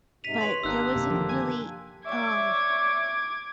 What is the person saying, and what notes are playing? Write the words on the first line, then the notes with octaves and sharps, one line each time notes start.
but there wasn't really, um
G#2 C3 B6 D#7 F7
E3 C#5 C6
G#1 A#3 D4 D#4 G4 A#5 E6 F#6
F#2 C3
D3 D#3 F3
G#5 G#6
C#5 D5 E5 D6 G#6